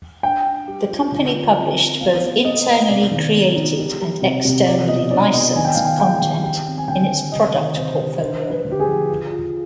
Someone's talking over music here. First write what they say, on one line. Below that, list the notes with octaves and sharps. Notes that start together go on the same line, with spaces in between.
The company published both internally created and externally licensed content in its product portfolio.
D4 G5
D4
G3
F4
D3
F4
C4
C4
B3 F5
B3
B3 D#5
B3
C3 D5
D#3
B3
D#4
G3
G3
C3
C3
F4 D5
B2 D#5
D4 D5
B3 D#5
D#3 G#5
G5
D#3 F5
G5
G#3 G5
D#3
G3 G5
C4
G#5
D3 G5
G3
C3 D#5
D#3
C3 C5
G3
D4 C5
D4
B4
D3
G4
G#4
F3
F4
F4